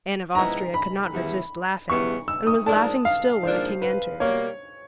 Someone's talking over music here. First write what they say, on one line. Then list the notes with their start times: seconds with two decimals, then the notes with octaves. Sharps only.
Anne of Austria could not resist laughing, and was laughing still when the king entered.
0.35 G#2 F3 G#3 B3 E4 A#5
0.74 B5
1.12 E2 C#3 E3 G3 B3
1.89 E2 C#3 E3 G3 B3 C#6
2.28 E6
2.47 D#6
2.66 G#2 F3 A#3 D4 A5
3.05 F5
3.43 G#2 F3 A#3 D4 C5
3.82 B4
4.20 B2 G3 A#3 C#5